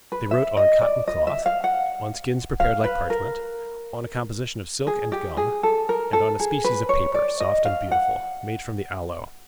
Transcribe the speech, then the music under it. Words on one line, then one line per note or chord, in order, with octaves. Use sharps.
They wrote on cotton-cloth, on skins prepared like parchment, on a composition of silk and gum, and on a species of paper, soft and beautiful, made from the aloe.
B4
E5
D#5
D5
D#5
E5
F5
F#5
F5
B4
A#4
G#4
G4
G#4
A4
A#4
A4
G#4
B4
C#5
D5
D#5
F5
F#5